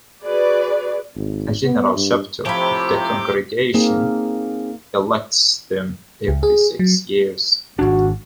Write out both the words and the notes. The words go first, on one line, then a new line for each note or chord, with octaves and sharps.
A General Chapter of the congregation elects them every six years.
F#4 G#4 B4 D5
G#1
B3
G2
A2 C3 F3 G4 C#5 B5
A#3 C4 D#4 G#4
C#2
G#4
F#3
G#1 D4 F#4